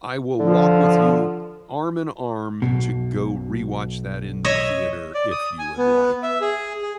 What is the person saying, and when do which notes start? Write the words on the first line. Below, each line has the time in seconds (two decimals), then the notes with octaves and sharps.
I will walk with you arm and arm to go rewatch that in the theater if you would like,
0.39 D3 F3
2.62 B1 F#2 B2
4.45 C#5 D#5 E5
5.14 D5
5.31 D#6
5.59 G#5
5.78 B3
6.23 E5
6.41 G#4
6.82 G#4